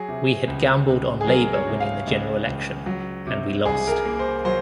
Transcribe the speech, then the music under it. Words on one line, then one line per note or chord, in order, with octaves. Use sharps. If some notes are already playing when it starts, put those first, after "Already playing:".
We had gambled on Labour winning the General Election and we lost.
Already playing: F#3 G#4
C3
C#2
C#2
G#4
F#3 A#4
C#5
C3
F5
C#2
C#2
F#3
C3
C2 G#4
A#4
G#4
A#3
C5
F#3 C5